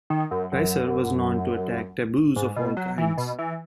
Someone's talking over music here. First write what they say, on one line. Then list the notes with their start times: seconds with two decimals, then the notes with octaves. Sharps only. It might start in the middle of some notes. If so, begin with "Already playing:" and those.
Reiser was known to attack taboos of all kinds.
0.10 D#3
0.31 F#2
0.52 F#2
2.36 G#2
2.56 B2
2.77 F#3
2.98 E3
3.18 B2
3.39 E3